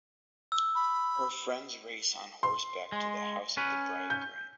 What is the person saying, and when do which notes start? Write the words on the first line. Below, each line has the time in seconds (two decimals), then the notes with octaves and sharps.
Her friends race on horseback to the house of the bridegroom.
0.52 E6
0.75 B5
2.43 C6
2.92 G#3
3.57 C#4 B4
4.10 G6